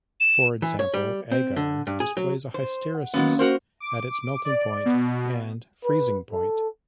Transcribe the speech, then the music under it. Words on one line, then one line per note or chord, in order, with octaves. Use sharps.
For example, agar displays a hysteresis in its melting point and freezing point.
E7
E3
C#5
G3
C4
D3
G2
G#4
F#3
C5
F#5
D#3 F#3 A#3 B3 C#4 F5
F#4 A#4 C5
D6
D5
B2
B4
A4